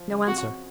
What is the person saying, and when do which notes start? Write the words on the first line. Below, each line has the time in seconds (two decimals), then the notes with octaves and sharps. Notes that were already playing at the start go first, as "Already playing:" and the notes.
No answer.
Already playing: F3
0.10 C#3
0.27 F2 F#4
0.44 F2